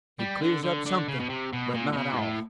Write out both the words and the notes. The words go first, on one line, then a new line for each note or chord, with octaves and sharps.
It clears up something, but not all.
G3
D3
D3
D3
C#3
B2
C3
B2
A#2
A#2
B2
G#2
A2